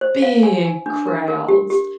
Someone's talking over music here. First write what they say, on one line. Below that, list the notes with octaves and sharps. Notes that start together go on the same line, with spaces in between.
big crowds.
C5
F5
G#5
G#5
D4
A#4
A#4
G4
G4